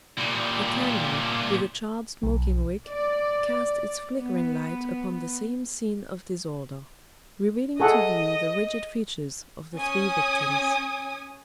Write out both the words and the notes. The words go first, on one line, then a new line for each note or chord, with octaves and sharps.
A candle, with a charred smoking wick, cast its flickering light upon the same scene of disorder, revealing to view the rigid features of the three victims.
A#2 G3
B1
D5
B3
G#4 A4 D#5 F#5
C#4 G#5 D#6